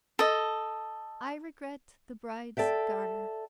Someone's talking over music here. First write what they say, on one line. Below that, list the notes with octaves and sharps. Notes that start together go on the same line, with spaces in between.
I regret the bride's garter.
A4 D#5
A4 D5 E5 G5